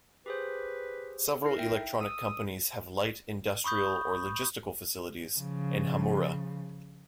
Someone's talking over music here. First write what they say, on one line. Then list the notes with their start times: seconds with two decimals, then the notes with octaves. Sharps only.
Several electronic companies have light industrial or logistical facilities in Hamura.
0.26 G4 G#4 B4 C5
1.44 D#4 E4 A#4 C7
1.58 E5 G5
2.00 D#6 E6
3.64 B5 C#6 D#6 G6
5.38 C#3 F3